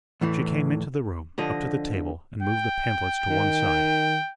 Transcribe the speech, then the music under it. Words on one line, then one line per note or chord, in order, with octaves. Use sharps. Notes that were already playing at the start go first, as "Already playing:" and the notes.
She came into the room, up to the table, and moved the pamphlets to one side.
E2 A2 E3
D3 F3 D#5
G5
D#3